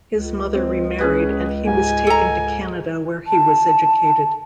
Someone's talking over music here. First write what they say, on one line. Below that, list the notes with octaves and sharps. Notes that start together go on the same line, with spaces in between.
His mother remarried and he was taken to Canada, where he was educated.
C#2
C4
C#4 G#4 B4
G#2 G#5
A4 A#5
A5